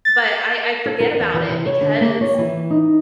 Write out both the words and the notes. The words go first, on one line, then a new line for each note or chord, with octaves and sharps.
But I I forget about it because
A6
A4
A#4
E2
E3
C3
C#5
D3
A#3
C#5
E3
D#4